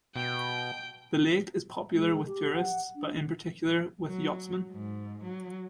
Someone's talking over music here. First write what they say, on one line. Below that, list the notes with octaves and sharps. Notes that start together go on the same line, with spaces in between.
The lake is popular with tourists, but in particular with yachtsmen.
B2 G5
G#3
G4
F#5
D4
F#3
G#2
F#3